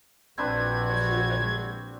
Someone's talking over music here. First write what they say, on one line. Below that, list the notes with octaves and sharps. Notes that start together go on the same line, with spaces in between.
That's true. I do
A#1 C4 D4 F#4 B4 G#6